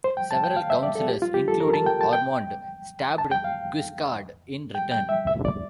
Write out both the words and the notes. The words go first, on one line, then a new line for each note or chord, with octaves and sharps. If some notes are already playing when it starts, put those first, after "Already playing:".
Several Councillors, including Ormonde, stabbed Guiscard in return.
C5
G5
A5
G5
F5
E5
D5
A4
G4
F4
G4
A4
A#4
A5
G5
A5
G5
A5
G5
F5
G5
G5
E5
E5
D5